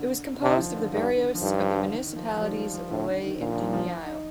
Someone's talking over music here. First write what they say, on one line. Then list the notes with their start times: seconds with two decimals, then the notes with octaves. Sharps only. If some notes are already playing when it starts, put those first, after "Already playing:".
It was composed of the barrios of the municipalities of Loay and Dimiao.
Already playing: D3
0.38 D3
0.42 C3 D#3
0.59 F3
0.67 D#3
0.76 D3
0.92 G2 D#3
1.16 D3
1.35 F3
1.42 G2 D#3
1.58 F3
1.75 D3
1.91 D#3
2.07 D#3
2.16 F3
2.37 F3
2.41 G3
2.49 D#3
2.57 F3
2.74 F3
2.90 A2 D3
3.07 D#3
3.24 D#3
3.40 A#2 D3
3.53 F3
3.57 D#3
3.73 F3
4.06 D#4